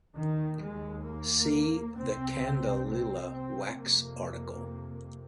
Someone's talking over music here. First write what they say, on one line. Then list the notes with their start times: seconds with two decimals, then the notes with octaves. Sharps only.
See the candelilla wax article.
0.16 D#2 D#3
0.61 G#3
1.07 A#3
1.97 C2 C3 C4
2.90 C4
3.35 C4
3.80 F2 C3 A#3